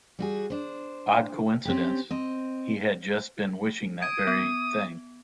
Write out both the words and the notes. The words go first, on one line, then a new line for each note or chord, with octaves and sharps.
Odd coincidence — he had just been wishing that very thing.
G3 F#4 G#4
D4 C5
C4 C#4 G4
C4 D#5
D#6 G#6 D7
B3